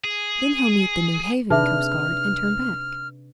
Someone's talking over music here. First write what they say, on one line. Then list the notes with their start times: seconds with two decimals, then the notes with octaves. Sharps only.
'Then he'll meet the Newhaven coastguard and turn back.
0.04 G#4
1.50 C3 D4 D#4 G#4 B4 E5 F6